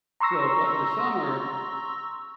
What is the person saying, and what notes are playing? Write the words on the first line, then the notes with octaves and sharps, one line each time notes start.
so- but in the summer,
A#5 C6 C#6 E6 A#6